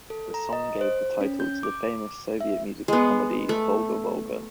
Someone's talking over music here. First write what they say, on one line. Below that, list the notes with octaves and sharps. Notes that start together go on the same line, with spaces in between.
The song gave the title to the famous Soviet musical comedy "Volga-Volga".
A4
A#5
D#5
C5
C#4
G6
D6
E5
G#3 B3
A3